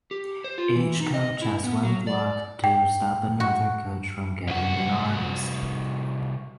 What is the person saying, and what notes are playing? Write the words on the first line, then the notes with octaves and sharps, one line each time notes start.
Each coach has one block to stop another coach from getting an artist.
G4
C5
F4
E3
D#4
D#5
E4
B3
F#3
D5
G5
F#4
C2 F#4